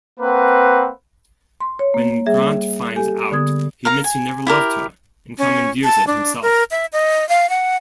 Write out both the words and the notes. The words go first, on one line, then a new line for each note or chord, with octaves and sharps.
When Grant finds out, he admits he never loved her, and commandeers it himself.
A#3 C4 B4 F#5
C6
C#5
A#3
G3 G#4 E5
G4 A4 G#5
D3 B3 D#6 G#6
A#4 F5 A#5
G#5
E4 G4 A#4
C#4
A5
D4
A#4
E5
D#5
F5
F#5